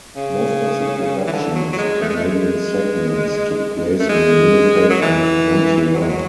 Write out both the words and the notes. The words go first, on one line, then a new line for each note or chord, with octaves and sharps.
Most of the production of the Canadian segments took place in Winnipeg and Montreal.
C#3
E3
D3
F#3
F#3
G#3
A3
G#3
A3
G#3
A3
G#3
F#3
E3
F#3
G#3
F#3